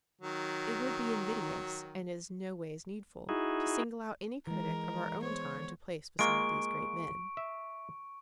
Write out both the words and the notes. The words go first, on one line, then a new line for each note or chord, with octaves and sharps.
It would be invidious, and is noways needful, to single out any critic of our own time to place beside these great men.
D#3 F#3
D#4 E4 F#4 G#4
E3 G#3 A#4
B3 C5 C#5
G#3 A#3 F4 C#6 D7
E5